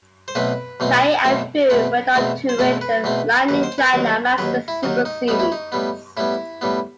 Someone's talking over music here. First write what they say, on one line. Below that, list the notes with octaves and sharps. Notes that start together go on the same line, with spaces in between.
Cai and Fu went on to win the Li-Ning China Masters Super Series.
C5
B1 B2 A3 C4 B4
B1 B2 A3 C4
B1 B2 A3 C4
E2 B2 A3 C4 B4
E2 B2 A3 C4
C5
E2 B2 A3 C4 B4
B4
E2 B2 A3 C4
D#2 D#3 F#3 B4
C5
B4
D#2 D#3 F#3
D#2 D#3 F#3 B4
E4
D#2 D#3 F#3 D#4
D#4
A2 G3 B3 D#4
E4
D#4
A2 G3 B3
A2 G3 B3 E4
A2 G3 B3